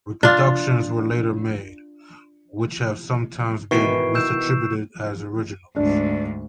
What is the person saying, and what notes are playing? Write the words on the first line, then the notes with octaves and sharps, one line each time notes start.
Reproductions were later made, which have sometimes been misattributed as originals.
D4 F4
B2 D#3 E3 E5 G#5 C#6 C7 D7
E6 G6 E7
D2 G#2 D4